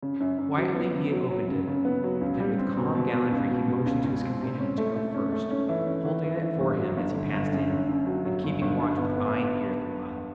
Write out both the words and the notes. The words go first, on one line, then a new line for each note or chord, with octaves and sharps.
Quietly he opened it, then with calm gallantry he motioned to his companion to go first, holding it for him as he passed in, and keeping watch with eye and ear the while.
C#3
F#2
F#2
F#3
B3
C#3
F#3
F#3
C#3
C#3
B3
F#3
C#2
G3
C4
B2
B2
B2
C#2
B2
B2
C#2
C#2
C4
C3
C#4
A3
A3
C#4
A3
C#4
E3
C#4
E3
E3
E3
G1
F#3
G1
D3
G1
F#2
F#2
F#2
F#3
F#3
G1
G1
G2
B3
B3
B3